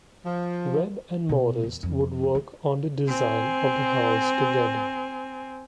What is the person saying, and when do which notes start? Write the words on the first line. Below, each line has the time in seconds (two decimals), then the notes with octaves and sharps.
Webb and Morris would work on the design of the house together.
0.25 F3
1.29 B2
1.64 E2
1.83 F2
2.35 F4
3.08 C4 G#5